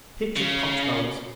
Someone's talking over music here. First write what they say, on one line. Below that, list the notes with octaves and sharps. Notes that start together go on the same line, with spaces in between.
Pictured punch-bowls.
C#3